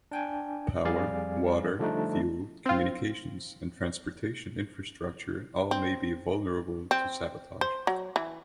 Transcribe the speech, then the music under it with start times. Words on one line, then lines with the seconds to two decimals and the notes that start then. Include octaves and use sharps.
Power, water, fuel, communications, and transportation infrastructure all may be vulnerable to sabotage.
0.11 D4 G5 G#5
0.84 F2 G3 G#4 D5 F5 G#5
1.79 D3 F3 G3 A3 D4 D#4
2.66 C4 F4
5.71 C4
6.91 C4
7.61 C5
7.87 F#3
8.16 E3